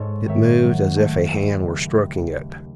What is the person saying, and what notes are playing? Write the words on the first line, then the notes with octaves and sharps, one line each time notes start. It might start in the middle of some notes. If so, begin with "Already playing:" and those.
It moved as if a hand were stroking it.
Already playing: G#2 A4 C#5 D#5
D#3 C#5 E5
F#3
A3
D#2
C#3